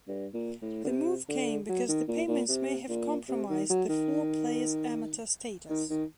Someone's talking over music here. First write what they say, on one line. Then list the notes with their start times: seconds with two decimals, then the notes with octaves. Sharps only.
The move came because the payments may have compromised the four players' amateur status.
0.08 G2
0.34 A#2
0.62 A2
0.84 D3
0.88 C3
1.29 D3
1.69 F#3
1.89 D#3
2.08 A#2
2.28 A#2
2.49 C3
2.89 A#2
3.29 C3
3.49 D#3
3.70 F#3
3.89 D#3
5.70 D#3
5.90 D#3